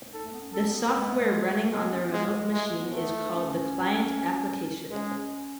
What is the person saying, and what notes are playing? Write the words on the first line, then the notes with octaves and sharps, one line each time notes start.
The software running on the remote machine is called the client application.
D#4 A4
A3
B3
C#4
A4
B3
G#3 B3
A3
G#3
A3
G#3 B3
C#4
B3
G#3
G#3
G#3 A3
B3
A3
D#4
C#4
G#3 C#4